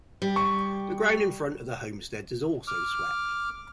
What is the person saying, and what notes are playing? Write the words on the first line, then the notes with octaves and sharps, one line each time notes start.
The ground in front of the homesteads is also swept.
G3
C#6
D6 F6